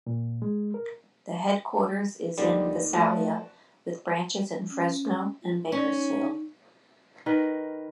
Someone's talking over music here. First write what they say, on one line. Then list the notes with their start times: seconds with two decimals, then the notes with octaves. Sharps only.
The headquarters is in Visalia with branches in Fresno and Bakersfield.
0.07 A#2
0.42 G#3
0.74 A#4
2.38 D#2 D3 G3 D#4
2.93 F3 A3 F#4 D5 A5
4.69 C#4
5.42 F4
5.72 C#4 D#4
7.26 D#3 A#4 B4